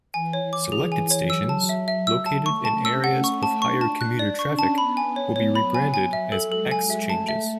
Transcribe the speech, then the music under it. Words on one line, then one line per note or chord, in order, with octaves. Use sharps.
Selected stations, located in areas of higher commuter traffic, will be rebranded as Xchanges.
E3 G#5
C#5
D6
G#4
G#5
C#5
F#3 E6
A5
E5
E5
E6
A5
A3 C#6
A5
C#4
E6
C#4 F#5
C#6
A5
D4 C#6
A5
F#6
D4 D5
C#6
C#4
A5
B3 B5
G#5
C#5
F#3 C#5
B5
G#5
G#5
E5
A4
G#3 A4
G#5
E5
A3 A5
E5